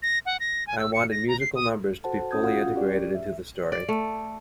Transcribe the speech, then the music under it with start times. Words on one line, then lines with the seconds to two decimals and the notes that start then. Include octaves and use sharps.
I wanted musical numbers to be fully integrated into the story.
0.03 A#6
0.26 F#5
0.40 A#6
0.67 G#5
0.79 E6
0.94 C#7
1.11 A#6
1.28 A#5
1.40 C7
1.55 D#6
2.04 F#4 A4 C5 F#5 A5
2.31 C#4 D#6 G6 G#6
2.43 F4 F#4 F5 F#5
2.75 C#4 G4 A#4 D5
3.15 E5
3.72 D5
3.89 A3